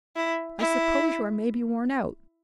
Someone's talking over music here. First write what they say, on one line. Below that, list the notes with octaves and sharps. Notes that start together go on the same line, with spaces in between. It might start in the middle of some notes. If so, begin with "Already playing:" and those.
I suppose you are maybe worn out.
E4
E4